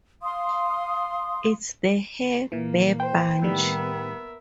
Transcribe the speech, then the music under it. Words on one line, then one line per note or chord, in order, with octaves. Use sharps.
It's the Hair Bear Bunch!
F5 C6 D#6
A#2 E3 A#3
C5 G5
A2 D#3 G3 B3 A#4 E5